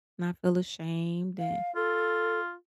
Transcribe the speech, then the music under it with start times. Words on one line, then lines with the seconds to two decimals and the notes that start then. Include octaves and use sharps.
not feel ashamed and
1.39 F5
1.76 F4 A4